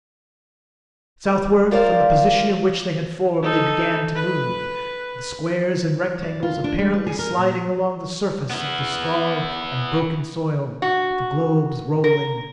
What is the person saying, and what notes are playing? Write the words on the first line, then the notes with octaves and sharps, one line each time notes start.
Southward from the position in which they had formed they began to move, the squares and rectangles apparently sliding along the surface of the scarred and broken soil, the globes rolling.
F4 A#4 C5 D5 F5
D#4 A4
B4
D5
F4
D4
G#3
B4
G#4
A#4
A#2
B3 E4
F#4
A#4